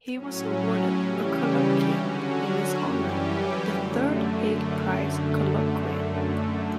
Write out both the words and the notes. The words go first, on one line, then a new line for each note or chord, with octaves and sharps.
He was awarded a colloquium in his honour: The Third Hague Prize Colloquium.
A2 F#3 C#4
C#3 E3 G3 C#4 G4
D3 F#3 C#4 F#4
F#2 E3 G3 C#4 G4
F#2 D3 A3